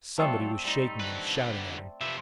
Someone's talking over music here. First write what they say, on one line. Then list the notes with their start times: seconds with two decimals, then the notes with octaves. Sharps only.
Somebody was shaking him, shouting at him.
0.18 F#3 A3 C4 F4 A4 D5
0.65 G3 D#4 A5 C6
1.00 D3 B4
2.01 C3 F3 B4 E5